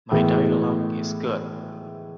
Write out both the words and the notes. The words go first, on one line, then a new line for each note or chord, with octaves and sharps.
My dialog is good.
A2 E3 G#3 B3